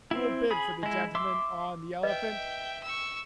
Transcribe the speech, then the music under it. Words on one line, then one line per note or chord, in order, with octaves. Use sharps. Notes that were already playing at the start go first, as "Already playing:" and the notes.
Who'll bid for the gentleman on the elephant?
C4 E4
G#4 B5 D#6
G#3 E4
E5 C6 D6 E6
B4 D#5 E5 G5
C#6 E6